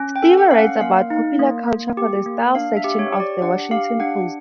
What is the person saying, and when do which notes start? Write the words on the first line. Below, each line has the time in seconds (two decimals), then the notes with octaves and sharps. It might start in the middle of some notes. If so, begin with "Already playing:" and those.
Stuever writes about popular culture for the "Style" section of the "Washington Post".
Already playing: C#4
0.16 G5
0.22 A4
0.37 F#5
0.51 C#4 F5
0.58 F#5
0.80 A#3 F5
1.10 D#4
1.39 A#3
1.68 A#3
1.97 G4
2.26 A#3
2.55 D4 F5
2.77 E5
2.84 G4
2.99 C#5
3.13 G4
3.20 D5
3.42 D4 F#5
3.71 G4 F5
4.00 D4 F#5